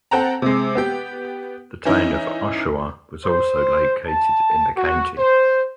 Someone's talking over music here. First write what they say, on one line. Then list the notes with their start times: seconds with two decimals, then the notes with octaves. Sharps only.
The Town of Oshawa was also located in the county.
0.11 C4 A4 F#5 G5 A5 A#5
0.42 C3 G#3
0.75 B3 G4 G5
1.85 E3 C#4 D#4 E4
3.25 C5
4.07 A5
4.77 F#4
5.18 C5